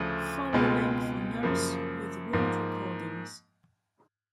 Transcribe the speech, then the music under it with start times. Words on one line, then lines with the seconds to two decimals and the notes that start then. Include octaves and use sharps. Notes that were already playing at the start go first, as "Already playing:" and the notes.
Follow link for Nurse with Wound recordings.
Already playing: D2 C#3 F3 A3
0.53 C#2 B2 G#3 C4 F4
1.43 F#2 C#3 F3 A#3
2.33 G#2 F3 A#3